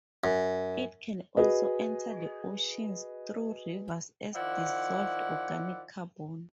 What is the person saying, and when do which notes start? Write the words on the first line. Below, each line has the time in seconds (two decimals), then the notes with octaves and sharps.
It can also enter the oceans through rivers as dissolved organic carbon.
0.24 F#2
1.37 F#4 G#4 B4 D#5
4.35 D#3 F3 E4 D5 F#5